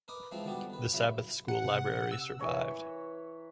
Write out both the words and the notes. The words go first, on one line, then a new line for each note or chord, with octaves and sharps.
The Sabbath School Library survived.
A#4 B4 D#5 D6
E3 F3 G#3 C4 D#4
D3 D#3 G3 B3 F#4 G4
D#3 B4
C#3 F#3 E4
F#5
C3
E6
E3 B4 C#5 A#5